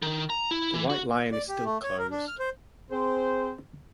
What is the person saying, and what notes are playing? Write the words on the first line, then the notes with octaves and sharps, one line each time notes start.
The White Lion is still closed.
D#3
A#5
E4
E3
F#4
D5
G4
A3
C#5
A#4
D4
F6
C5
C4 G#4 C5